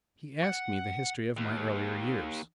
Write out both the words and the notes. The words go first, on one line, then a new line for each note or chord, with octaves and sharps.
He asked me the history of my earlier years.
F#5
D#2